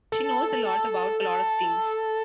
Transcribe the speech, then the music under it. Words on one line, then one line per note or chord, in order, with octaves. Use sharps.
She knows a lot about a lot of things.
A4